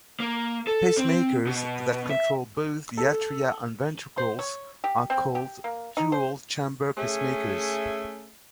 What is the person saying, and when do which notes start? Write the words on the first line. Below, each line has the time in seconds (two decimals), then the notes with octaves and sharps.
Pacemakers that control both the atria and ventricles are called dual-chamber pacemakers.
0.20 A#3
0.67 A4
0.97 C4
1.47 B2
2.10 E5
2.97 A4
4.18 C5
4.39 C#5
4.84 G4
5.10 C4
5.35 G4
5.64 A#3
5.97 D#4
6.12 C5
6.98 A3 C#4 G#4 E5